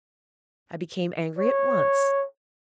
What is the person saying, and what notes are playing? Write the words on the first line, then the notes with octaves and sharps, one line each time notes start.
I became angry at once.
C#5